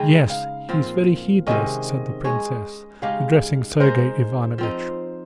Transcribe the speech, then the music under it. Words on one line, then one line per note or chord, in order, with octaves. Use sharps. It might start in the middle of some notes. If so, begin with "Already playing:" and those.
"Yes, he's very heedless," said the princess, addressing Sergey Ivanovitch.
Already playing: C#3 G#3 D#4 G#4 G5
F5
A#2 F3 C4
C3 D#3 G#3 C#4 D#5
G#3 C#4 G#4 C#5
C#3 G#3 D#4 G4 F5
G#3 D#4 A#4 C5
F3 C4 D#4